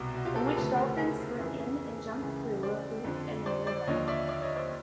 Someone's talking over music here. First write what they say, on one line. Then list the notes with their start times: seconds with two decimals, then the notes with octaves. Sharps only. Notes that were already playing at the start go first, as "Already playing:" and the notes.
In which dolphins swim in and jump through a hoop and ring a bell.
Already playing: C2 B2 F#4
0.14 F#4
0.25 F4 G4
0.35 G4 A4
0.45 G#4 A#4
0.56 D2 C#3 F3 A4 B4
0.77 A#4 C5
0.97 G#4 A#4
1.39 F2 C#3 E3
2.22 C#2 C#3 E3
2.63 C5 D5
3.04 F2 D3 F3
3.46 C5 D5
3.66 C5 D5
3.87 D#2 D3 F3 C#5 D#5
4.08 D5 E5
4.29 D5 E5
4.42 C#5 D#5
4.56 C5 D5